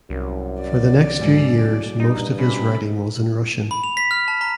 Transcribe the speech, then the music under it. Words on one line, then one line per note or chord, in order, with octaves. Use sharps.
For the next few years most of his writing was in Russian.
C2 F#2
D5
G#2 B2 F#3
G2 D#4
C3 C#4 B5
B5
F7
B6
F6
A5
A#5